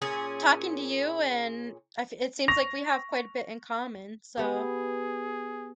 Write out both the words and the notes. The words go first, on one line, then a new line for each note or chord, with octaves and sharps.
talking to you and I f it seems like we have quite a bit in common, so
A#2 C#4 G#4
C#6 A#6 F7
B3 G4 G#4